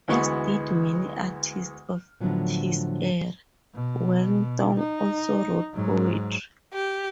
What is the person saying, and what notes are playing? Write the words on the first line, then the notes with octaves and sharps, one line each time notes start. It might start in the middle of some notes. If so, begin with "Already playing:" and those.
As did many artists of his era, Wen Tong also wrote poetry.
D2 E3 G#3 B3 F#4 C#6
A2 D3 D#3 F3 F#3 B3
B2
D#4
G#2 F#3
G4